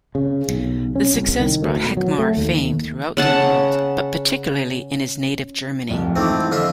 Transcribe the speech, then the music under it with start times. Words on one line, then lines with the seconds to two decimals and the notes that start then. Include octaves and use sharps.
The success brought Heckmair fame throughout the world, but particularly in his native Germany.
0.15 C#3
0.48 B1
0.96 C#4
1.14 C2
1.40 D#3
1.63 D2
1.84 B2
1.97 F#3
2.18 A3
2.37 D#2
3.17 C#3 C#4 F#5 A5
5.89 D1 C2 F2
6.16 G#2 E3 A3 C4 D6
6.52 F2 D3 F4 E5